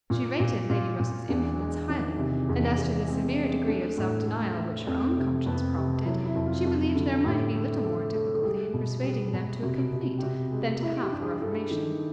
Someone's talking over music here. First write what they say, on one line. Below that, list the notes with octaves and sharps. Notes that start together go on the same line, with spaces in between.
She rated Lady Russell's influence highly; and as to the severe degree of self-denial which her own conscience prompted, she believed there might be little more difficulty in persuading them to a complete, than to half a reformation.
A#2 F4
A#2
A#2 F4
A#2
E2 D4
G#3
D#3 C#4
C3
E2
E2
G#3 C4
G#3
A3 D4
A2
A3
A3
F2 C4
C3
F2 B3
C3
F#3 E4
E4
F2
F4
F2 F#4
D3
A2 G4
A3
A3 A4
A3
A4
G3 G#4
B2
G3 G#4
B2
C3 F#4
C3
G4
C3 F#4
G#3
G#3 E4
G4
G2
G#4
G#4
G2 A4
D#3